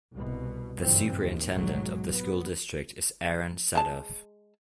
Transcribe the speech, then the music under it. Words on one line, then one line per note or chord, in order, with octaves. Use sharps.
The superintendent of the school district is Aaron Sadoff.
C2 B2
F#1 G2 A#2 E3 C4
D#2
B1 G#2 F#3 G#3
B3
G#3 A5